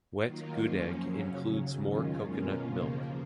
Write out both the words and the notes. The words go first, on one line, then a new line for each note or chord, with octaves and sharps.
Wet gudeg includes more coconut milk.
D#3 F#3 A#3 F4
F#2 F3 A#3 C#4
C#3 F#3 C#4
D#2 C#3 F#3
F#2 D#3 G#3 C#4 F4
B2 A#3 C#4 F4
D#2 C#3 F3 A#3